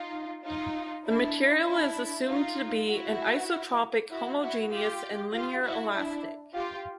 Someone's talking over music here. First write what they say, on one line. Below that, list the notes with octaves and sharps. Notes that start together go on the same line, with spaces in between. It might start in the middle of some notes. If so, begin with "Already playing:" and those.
The material is assumed to be an isotropic, homogeneous, and linear elastic.
Already playing: D#4 F4
D#4 F4
D4 E4
D4 E4
D#4 F4
E4 F#4
E4 F#4
E4 F#4
F4 G4
F4 G4
E4 F#4
D4 E4
F4 G4